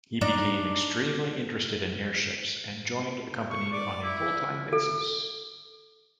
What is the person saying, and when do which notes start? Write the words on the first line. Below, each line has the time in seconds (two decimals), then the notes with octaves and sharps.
He became extremely interested in airships, and joined the company on a full-time basis.
0.21 D4 D#4
3.50 C#6
3.72 D5
4.03 E4
4.73 A4